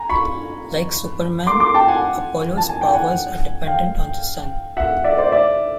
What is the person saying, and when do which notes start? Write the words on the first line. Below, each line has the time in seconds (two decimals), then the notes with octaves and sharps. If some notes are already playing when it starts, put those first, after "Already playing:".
Like Superman, Apollo's powers are dependent on the sun.
Already playing: G#5 A#5
0.09 B5 C#6
1.47 C6 D6
1.60 C6 D6
1.74 G5 A5
1.88 F#5 G#5
2.57 A5
2.69 G#5
2.81 G5
2.93 F#5 G#5
3.67 F5 G5
4.77 E5 F#5
5.04 D5 E5
5.18 C5 D5
5.32 D5 E5